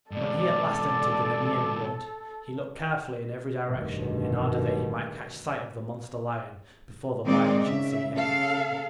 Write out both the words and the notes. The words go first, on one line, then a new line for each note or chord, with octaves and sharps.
When he at last entered the Nemean wood, he looked carefully in every direction in order that he might catch sight of the monster lion before the lion should see him.
G#2 B2 A4 D5
F1 B1 G2 B2 D3 D#3
D#3 G#3 C4 D#4 D5
C#3 E5
C#3 A4 F5